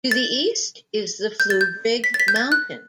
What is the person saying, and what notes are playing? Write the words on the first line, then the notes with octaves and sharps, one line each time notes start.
To the east is the Fluebrig mountain.
A6
G6
A6
G6
B6
A6
B6
G6
A6
F#6